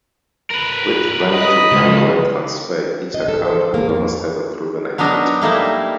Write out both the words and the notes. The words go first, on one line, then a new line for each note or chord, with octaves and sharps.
With bank-to-bank wire transfer, each account holder must have a proven identity.
A#4 B4
D#5 B5
C#2
D#5
A4
C5
A#3
F2
F#3 B3 D4 D#4 A#4
G3 A3 A#3 D#4 E4